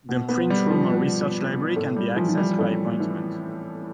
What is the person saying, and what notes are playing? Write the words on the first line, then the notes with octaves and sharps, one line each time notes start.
The Print Room or Research Library can be accessed by appointment.
B2
B3
G3
F3
B2
A2 A3
G3
E3 F3
F3
G3
A2 A3
E3